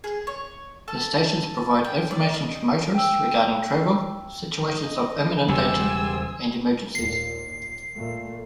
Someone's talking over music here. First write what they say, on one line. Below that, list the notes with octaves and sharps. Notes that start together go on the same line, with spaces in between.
The stations provide information to motorists regarding travel, situations of imminent danger and emergencies.
G#4
C#5
A4
G5
D5
D#5
G5 E6
D#5
E1 C#3 G3 G4 C5 G#5 C6 E6
D#2 A#2 C7
A#2 A3